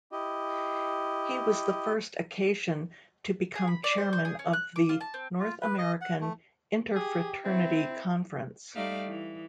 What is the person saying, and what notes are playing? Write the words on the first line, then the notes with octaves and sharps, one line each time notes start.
He was the first Acacian to become chairman of the North-American Interfraternity Conference.
E4 G4 D#5
G#4
B5
D5
C5
C5
G#4
C#4
F#6
D6
F4
A5
C4
F4
B4
D#5
F#5
A3
G4 G#4
C4 E4
G3 A3 D#4 D5 F5
E3